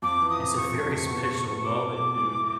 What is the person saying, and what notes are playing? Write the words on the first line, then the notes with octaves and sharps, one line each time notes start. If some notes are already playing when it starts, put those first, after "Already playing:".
It's a very special moment, dude.
F2 D6
E3
D#6
C3
F2 C#6
F2
F2
B2
B3
B2
B2 D6
B2
B2
G#3
E4